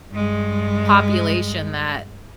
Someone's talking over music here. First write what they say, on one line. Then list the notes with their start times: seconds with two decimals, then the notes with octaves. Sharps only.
population that
0.11 G2 G#3